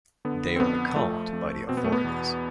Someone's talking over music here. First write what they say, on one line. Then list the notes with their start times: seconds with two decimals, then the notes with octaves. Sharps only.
They were caught by the authorities.
0.25 D3 B3
0.56 C4
0.60 F2 B3
0.96 F3 A3
1.32 F2
1.69 B2 C4
1.77 B3
1.84 A3
1.92 B3
2.04 E2